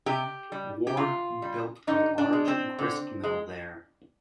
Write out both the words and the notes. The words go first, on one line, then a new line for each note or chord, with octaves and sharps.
Ward built a large gristmill there.
C3 G4
G3
G4
C3 F4
G3
D3 D#4
D4
G#3
C4
D3
G#3